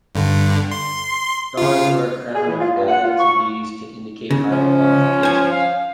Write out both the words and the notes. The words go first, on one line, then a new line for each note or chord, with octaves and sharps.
Stars or a Crown are added to these to indicate higher qualifications.
G2 D3
C6
C#3 F4
G#4
E3
F4
G2
F#5
F4
C#6
C#3
F3 C#4
C5 G#5
F5